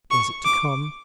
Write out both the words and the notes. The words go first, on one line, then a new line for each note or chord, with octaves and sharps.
Was it to come?
C#6
D6